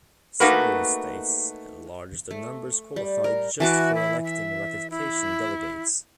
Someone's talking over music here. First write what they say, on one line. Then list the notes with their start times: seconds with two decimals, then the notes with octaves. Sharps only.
Several states enlarged the numbers qualified just for electing ratification delegates.
0.40 A3 A#3 D#4 F#4 A#4 B4
2.31 A3
2.96 G3
3.24 A#4
3.60 E3 F#4 A5 D6
3.95 E4
4.24 E5
4.90 E4